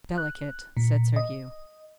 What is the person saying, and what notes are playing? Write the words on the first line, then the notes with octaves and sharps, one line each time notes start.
"Delicate!" said Sir Hugh.
F#6
A#2
D#5